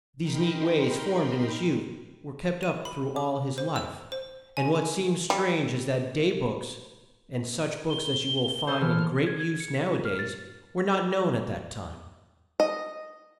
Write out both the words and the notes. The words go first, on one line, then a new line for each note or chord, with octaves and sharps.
These neat ways, formed in his youth, were kept up through all his life, and what seems strange is that day-books, and such books as you will find in great use now-a-days were not known at that time.
D#4 A#4 G5 B5 C6
D#7
B5
D6
C5
E6
C5
G#5
G3
G7
G#4 A4 C5
E3 F6
G#6
G#6
C#7
B6
F4
F6
A6
D#5